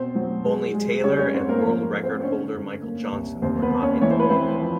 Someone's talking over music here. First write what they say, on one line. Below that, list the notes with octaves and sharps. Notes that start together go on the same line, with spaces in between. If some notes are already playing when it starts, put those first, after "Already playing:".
Only Taylor and world record holder Michael Johnson were not implicated.
Already playing: B2 C4 C5
F#3
G#3
G#3
G3 C#4 C#5
C#4 C#5
G#2 C4 C5
A#3 A#4
F3
A3
C4 C5
D3 C#4 C#5
G2
A#3
C2
D#2 C4 C5
B3 B4
A#3
C#4 C#5
E3 C#5
C5
B4
E3 C4 C5
F3